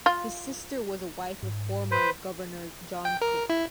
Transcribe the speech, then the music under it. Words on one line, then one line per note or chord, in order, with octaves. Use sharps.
His sister was the wife of former Governor John Cook.
F4
G#2
B4 C5
G5
A#4
E4